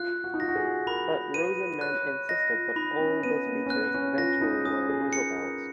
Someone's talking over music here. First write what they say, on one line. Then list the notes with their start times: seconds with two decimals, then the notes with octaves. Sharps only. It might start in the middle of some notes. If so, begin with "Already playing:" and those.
But Rosenman insisted that all the speeches eventually were Roosevelt's.
Already playing: F4 F#6
0.24 F#4
0.34 D#4
0.40 F4 A#6
0.48 F#4
0.56 G#4
0.87 A#4 B5
1.34 B4 D#7
1.81 C#5 F#6
2.05 C#5
2.29 D#5 A#6
2.53 F4
2.76 D#4 B5
3.00 C#4
3.23 B3 D#7
3.47 A#3
3.66 C#4
3.70 B3 F#6
3.94 C#4
4.18 F4 A#6
4.41 D#4
4.65 C#4 D#6
4.89 G#4
5.13 A#4 C#7
5.36 A#4